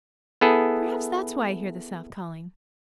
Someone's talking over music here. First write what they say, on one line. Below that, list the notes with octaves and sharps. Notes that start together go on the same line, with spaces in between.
Perhaps that is why I hear the South calling.
B3 E4 G#4 A4